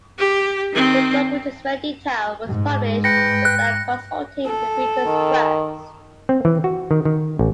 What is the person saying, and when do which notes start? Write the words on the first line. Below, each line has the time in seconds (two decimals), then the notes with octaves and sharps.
The book, which is very detailed, was published without consulting the victims first.
0.18 G4
0.73 D#3 C4
2.47 G#2
3.04 B4 G5 A#6 C#7
3.45 F#6
4.46 A4
5.07 D#3
6.29 C4
6.45 E3
6.64 F#4
6.91 D#3
7.05 D#3
7.39 A1